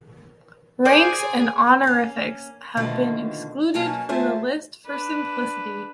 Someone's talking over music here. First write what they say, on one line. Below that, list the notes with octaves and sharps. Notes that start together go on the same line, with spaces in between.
Ranks and honorifics have been excluded from the list for simplicity.
G#4 C5 D5 G#5
A#3 C#4
B2 D3 D#3 F3 A3 A#3
B2 F#3 A#3 C#4 G#5 A5
F#3 A3 F4 G#4 C5 E5
D4 B4